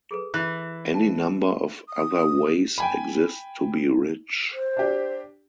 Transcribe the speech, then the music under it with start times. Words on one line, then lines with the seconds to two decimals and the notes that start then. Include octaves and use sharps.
Any number of other ways exist to be rich.
0.11 G#4 A4 B4
0.34 E3 F#6
0.94 G5 A5
1.88 D#6
2.78 G5 G#5 B5
4.53 C5
4.77 D4 G4